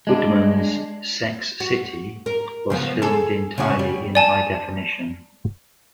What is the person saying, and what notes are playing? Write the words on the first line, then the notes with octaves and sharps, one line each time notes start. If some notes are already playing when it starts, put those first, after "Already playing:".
Woodman's "Sex City" was filmed entirely in high definition.
G#3 D4
F#4
A#4
C#3 F3 B3
G#4 A4
C#3 C#4 F#4
G3
D5 G#5 A5